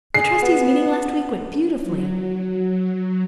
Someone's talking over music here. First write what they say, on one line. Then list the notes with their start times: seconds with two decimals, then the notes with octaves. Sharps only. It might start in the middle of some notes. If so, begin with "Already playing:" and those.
The trustees' meeting last week went beautifully.
0.14 G#4 C7
0.42 B3
1.83 F#3